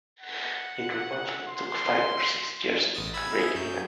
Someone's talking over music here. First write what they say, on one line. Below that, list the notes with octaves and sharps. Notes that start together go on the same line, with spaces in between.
It reportedly took five or six years to break even.
F#5
C6
A1 D#6 A6
B5 E6 G#6
G#4 E5
F#2 G6